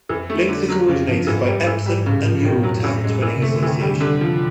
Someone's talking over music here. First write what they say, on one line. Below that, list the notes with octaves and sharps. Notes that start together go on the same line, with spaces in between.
Links are coordinated by Epsom and Ewell Town Twinning Association.
F2 E3
A3
D3
F#3
F2 C#3
G2 F3
G#2 E3
G3
E3
G3
A2 C#3
F3
B2 D#3
A2
F2 F#3
F2 E3
F#2 G#3
F#2 E3
C3
A3
D3
D#3 E3
G3
D3
F3